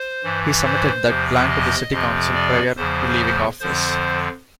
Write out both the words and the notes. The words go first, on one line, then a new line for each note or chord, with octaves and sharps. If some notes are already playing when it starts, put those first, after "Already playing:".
He submitted that plan to the city council prior to leaving office.
Already playing: C5
G2 E3
C5
E2 C3 F3
D#5
F2 C3 F3
D5
E2 C#3 F3 C5
F2 D3 F3 C5